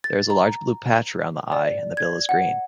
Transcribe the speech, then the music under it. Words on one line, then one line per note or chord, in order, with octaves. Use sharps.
There is a large blue patch around the eye and the bill is green.
A6
A#5
D5
G#6
F#5